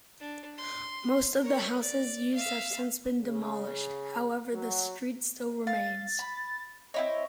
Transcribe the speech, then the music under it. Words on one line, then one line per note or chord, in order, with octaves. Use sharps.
Most of the houses used have since been demolished, however the street still remains.
D4
C6
A#4 C#5
D5
E5 F5
C#3
F#3
F5 A6
B5
C4 E4 C#5 D#5